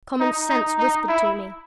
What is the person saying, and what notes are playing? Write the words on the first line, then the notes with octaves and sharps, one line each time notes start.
Common sense whispered to me.
D#4
D#4
D#4
E4